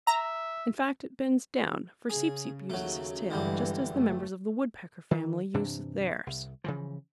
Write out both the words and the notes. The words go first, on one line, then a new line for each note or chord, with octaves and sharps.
In fact, it bends down, for Seep-Seep uses his tail just as the members of the Woodpecker family use theirs.
E5 A#5
C#3 G#4
D#2 C#3 F#3 A3
G2 D3 E3 G3 G#3
F#1 A3
D#3
G2 C3 E3 D4
C2
C#3 E3 F3